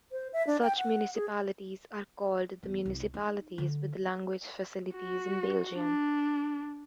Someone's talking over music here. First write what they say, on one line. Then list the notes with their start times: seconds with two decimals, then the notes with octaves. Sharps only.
Such municipalities are called the municipalities with language facilities in Belgium.
0.12 C5
0.33 E5
0.47 D4
0.63 G5
0.78 F#5
1.15 G#4
2.63 E1
2.85 C2
3.14 D#4
3.58 D3
4.95 F#4
5.76 D4